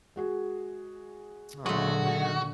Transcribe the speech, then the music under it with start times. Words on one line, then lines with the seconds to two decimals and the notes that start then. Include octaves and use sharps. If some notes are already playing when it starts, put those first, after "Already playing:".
Aw, man.
0.16 G#3 F#4 G#4
1.66 A#2 D3 F#3 G#3 A3 F#4